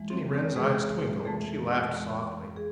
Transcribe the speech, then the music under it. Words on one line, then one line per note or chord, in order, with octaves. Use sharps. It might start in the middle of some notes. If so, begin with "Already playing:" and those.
Jenny Wren's eyes twinkled, and she laughed softly.
Already playing: F2 E3 G#3
C4
C4
F2 E3 G#3 G#4
F2 E3 G#3 A3 A4
F2 E3 G#3
G#4